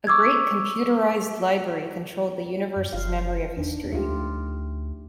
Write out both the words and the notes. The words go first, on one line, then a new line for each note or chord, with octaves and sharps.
A great computerized library controlled the universe's memory of history.
C#6 D6 E6 G#6
F#2
F#1 F4 F5
E2 D4 D#4
D2 A3 F4 G4